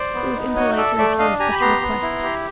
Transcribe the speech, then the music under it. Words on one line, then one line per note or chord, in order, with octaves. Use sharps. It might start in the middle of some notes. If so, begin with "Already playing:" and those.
It was impolite to refuse such a request.
Already playing: C5 D5
B3
D#4
F#4 C#5 D#5
A4 D5 E5
A3 D5 E5
D4 D#5 F5
G4 G#5 A#5
B5
B3 A#5 C6
B3
E4
G4